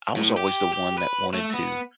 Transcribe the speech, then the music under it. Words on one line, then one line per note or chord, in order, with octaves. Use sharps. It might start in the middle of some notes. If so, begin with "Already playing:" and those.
I was always the one that wanted to
A2
G4
G4
B4
A3
B3